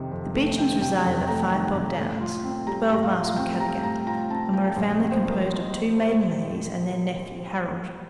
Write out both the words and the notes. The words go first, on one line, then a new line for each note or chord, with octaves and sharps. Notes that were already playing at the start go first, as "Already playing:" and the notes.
The Beechams resided at Five-Bob Downs, twelve miles from Caddagat, and were a family composed of two maiden ladies and their nephew, Harold.
Already playing: F2 C3 D#3
F2
A3
D#3 G5
C3 G5
F2 A#5
A3 A#5
D#3
C3
A2
F4
C4
G3 A#5
A2
F5
F4
C4 G5
G3 A#5
A2 A#5
F4 A#5
C4 A5
G3 G5
A#1
D#5
C4
C5
F3
A#4